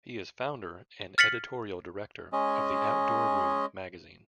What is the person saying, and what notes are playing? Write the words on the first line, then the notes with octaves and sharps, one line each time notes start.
He is founder and Editorial Director of "The Outdoor Room" magazine.
F6 A6 B6 C#7 F#7
G#3 C#4 D#5